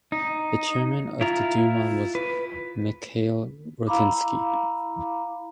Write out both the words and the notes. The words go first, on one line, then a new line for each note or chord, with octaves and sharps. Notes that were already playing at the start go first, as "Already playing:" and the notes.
The Chairman of the Duma was Mikhail Rodzianko.
D#4
E4 F4 A#5
B4
E4 F5 A#5 B5 D6